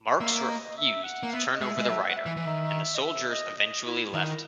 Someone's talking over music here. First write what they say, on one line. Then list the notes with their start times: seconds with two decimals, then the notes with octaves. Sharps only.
Marx refused to turn over the writer, and the soldiers eventually left.
0.20 A#3 E5
0.41 E5
0.48 D#5
0.77 E5
1.04 F#5
1.23 A#3
1.33 B3 E5
1.54 D#5
1.61 G#3 E5
1.78 G#3
1.84 D#5
1.88 F#3 E5
2.09 F#5
2.17 E5
2.26 E3
2.36 E3
2.45 D#3
2.95 D#5
3.01 E5
3.30 D#5
3.58 D#5
3.86 E4
4.14 D#3 E4
4.30 A#4